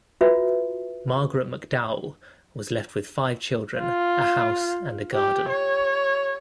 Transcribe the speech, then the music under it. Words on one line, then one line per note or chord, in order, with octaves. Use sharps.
Margaret McDowell was left with five children, a house and a garden.
F4 F#4 B4 E5
F4
G4
C#5